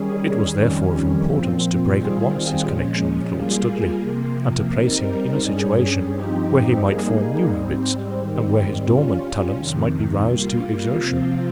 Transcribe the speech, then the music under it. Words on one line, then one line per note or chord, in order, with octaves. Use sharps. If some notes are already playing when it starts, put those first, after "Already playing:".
It was therefore of importance to break at once his connexion with Lord Studley, and to place him in a situation where he might form new habits, and where his dormant talents might be roused to exertion.
Already playing: D#3 G3 C#4 G#4
F2 D#3 G3 C#4
A#2 F3 C4
D#3 G3 C4 F4 G#4
A#2 F3 G#3 C#4
G3 A#3 F4 G#4
C3 F3 A#3
G3 C4 D#4 A#4
G2 G3 C#4 G#4
G2 F3 C4 D#4 G4
G3 A#3 D#4 G#4
G#2 G3 C4
G#2 D#3 G3 C4
G3 C#4 F4
F2 C3 D#3
G3 A#3 F4
C3 F3 C4 F4